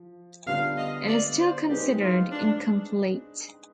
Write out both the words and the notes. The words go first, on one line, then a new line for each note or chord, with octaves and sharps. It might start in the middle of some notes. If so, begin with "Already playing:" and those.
It is still considered incomplete.
Already playing: F3
D3 G3 B3 F4 F5
D#5
D5
C5
G#3 C4 D#4 G4 B4
F4
D4